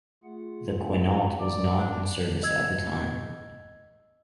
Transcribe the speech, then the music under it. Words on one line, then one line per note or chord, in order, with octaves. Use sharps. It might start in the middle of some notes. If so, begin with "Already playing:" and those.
The "Quinault" was not in service at the time.
A3 F4 G#4 F#5
D5
D4
D#5 E6 G#6